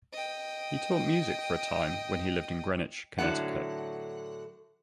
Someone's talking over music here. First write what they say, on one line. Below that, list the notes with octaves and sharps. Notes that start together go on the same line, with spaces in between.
He taught music for a time when he lived in Greenwich, Connecticut.
D#5 G5
A2 D3 F#3 A3 B3 F#5